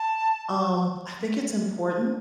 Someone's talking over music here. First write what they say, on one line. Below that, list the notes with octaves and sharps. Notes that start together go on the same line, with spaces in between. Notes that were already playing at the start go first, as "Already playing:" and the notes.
um, I think it's important
Already playing: A5